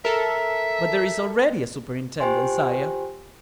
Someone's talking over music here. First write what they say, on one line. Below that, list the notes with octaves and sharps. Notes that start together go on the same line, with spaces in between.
"But there is already a superintendent, sire."
A4 A#4 E5
F4 G4 C5 G5 G#5 C6